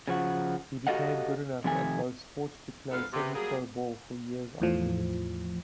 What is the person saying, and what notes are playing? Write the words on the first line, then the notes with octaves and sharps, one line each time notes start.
He became good enough at both sports to play semipro ball for years afterward.
C#3 F3 F#4
F#4 G4 A4 D#5 F5 F#5
F2 C3 D#3 A3 G#5
F2 G#2 B3 D4 A4 F5
C3 B3
F#3 G3 A#3 G#4
E2 A2 F3